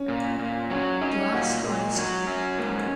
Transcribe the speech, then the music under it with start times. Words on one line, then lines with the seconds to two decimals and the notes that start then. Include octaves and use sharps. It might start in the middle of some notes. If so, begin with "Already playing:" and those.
Glass High School.
Already playing: C#4
0.08 A#2
0.39 A#2
0.70 F#3 C#4
1.01 C#4 D#4
1.32 A#2 F#4
1.64 A#2 G#3
1.96 F#3
2.27 C#4
2.58 G#2 A#3